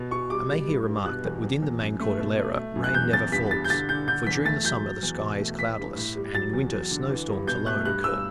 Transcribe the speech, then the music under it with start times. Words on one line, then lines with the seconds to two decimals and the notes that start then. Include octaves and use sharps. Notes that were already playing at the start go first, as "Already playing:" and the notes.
I may here remark that within the main Cordillera rain never falls, for during the summer the sky is cloudless, and in winter snow-storms alone occur.
Already playing: B2
0.11 B2 C#6
0.30 G3 D6
0.49 G3
0.68 G2
0.87 G2
1.06 B2 F#6
1.25 E2
1.44 E2
1.62 E2
1.82 F#2
2.00 A3
2.19 B2
2.38 A3
2.56 A3
2.76 F#2
2.84 F#6
2.95 E2 G6
3.13 E2 A6
3.32 G2 B6
3.51 G2 A6
3.64 G6
3.70 D3 A6
3.89 D3 G6
4.08 D3 G6
4.27 E2 B6
4.45 A3 A6
4.64 F#3 G6
4.83 F#3
5.03 E2
5.21 B2
5.40 A3
5.59 E3 B6
5.78 G2
5.96 A2
6.15 G3
6.34 F#3 A6
6.53 E2
6.72 F#3
6.91 D3
7.10 E3
7.29 G2
7.47 B2 G6
7.66 A3 F#6
7.85 G2 F#6
8.04 G2 E6